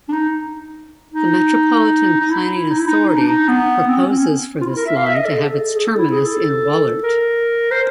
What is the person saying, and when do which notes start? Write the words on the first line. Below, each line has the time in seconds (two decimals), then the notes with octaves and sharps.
The Metropolitan Planning Authority proposes for this line to have its terminus in Wollert.
0.09 D4
0.13 D#4
1.12 D#4
2.20 D#4
2.30 E4
2.69 D#4
2.79 E4
2.87 D#4
3.08 D#4
3.18 D4
3.28 D#4
3.49 B3
3.88 C4
3.98 C#4
4.08 C4
4.18 C#4
4.62 F4
4.66 E4
4.77 A#4
4.87 E5
4.97 F5
5.06 E5
5.16 D#5
5.26 A4
5.39 G#4
5.45 A4
5.75 G#4
5.85 A4
5.98 E4
6.11 G#4
6.25 A4
7.04 A#4
7.71 C5